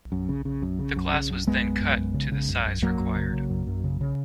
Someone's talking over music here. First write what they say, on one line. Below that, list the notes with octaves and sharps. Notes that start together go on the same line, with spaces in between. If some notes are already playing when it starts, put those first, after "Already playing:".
The glass was then cut to the size required.
F#2
C#3
C#3
F#2
C#3
F#2
C#3
F#2
F#2 G#3 B3
F#2
F#2
F#2
C#3
C#3
F#2
F#2
F#2 F#3 A#3
F#2
C#3
C#3
F#2
F#2
C#3
C#3